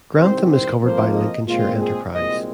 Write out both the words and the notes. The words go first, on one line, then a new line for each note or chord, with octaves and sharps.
Grantham is covered by Lincolnshire Enterprise.
C2 C3 D#3 C4 C5
C5
F2 F3 A#3 C5
D#5
A#2 G#3 C4 F4
G#4
C2 A#2 G#3 C4 D#5